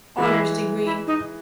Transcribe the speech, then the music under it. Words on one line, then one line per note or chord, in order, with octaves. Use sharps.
Honors degree.
E3 G#3 E4
E4
D#4